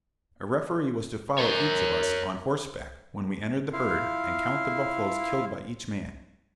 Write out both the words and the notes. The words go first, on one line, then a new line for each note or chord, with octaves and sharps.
A referee was to follow each of us on horseback when we entered the herd, and count the buffaloes killed by each man.
A#4 C#5
E4 F4 F5